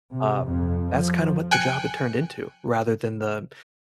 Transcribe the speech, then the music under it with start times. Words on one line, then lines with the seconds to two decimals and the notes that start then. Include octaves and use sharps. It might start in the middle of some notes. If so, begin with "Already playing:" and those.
Um, that's, kind of what the job had turned into, rather than the
0.13 C3
0.45 F2
0.89 F3
1.51 G5 G#5 F#6 C#7